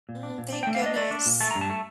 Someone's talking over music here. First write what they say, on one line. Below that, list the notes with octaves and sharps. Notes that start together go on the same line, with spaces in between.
Mm, thank goodness.
A#2
D4
A#2
D4
G5
A3
F5
D4 D#5
A3 D5
D4
A#2
A3 A5
G2 A#5
A5
A3